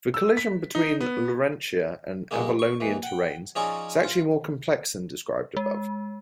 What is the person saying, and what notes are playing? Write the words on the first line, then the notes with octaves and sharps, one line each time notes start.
The collision between Laurentia and Avalonian terranes is actually more complex than described above.
E6
B6
D#4
B3
A#1 G2 D3 G#3 A#3
C#6
D#2 E3
F#5 G5
F3 C#4 D#4 G#4 C#5 D5
F4
G#3